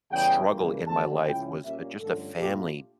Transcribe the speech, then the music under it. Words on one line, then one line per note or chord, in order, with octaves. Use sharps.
struggle in my life was a just a family
E2 C#3 E3 G3 C#4 G5
C#2 C#3 E3 G3 A#3
D2 D3 F3 A5
C#2 C#3 F3 C#4 E4 G5
A#2 G3 A#3 C#4 E5
G2 D3 F3 A3 C#4 A4
A#2 A3 D4 F4 G4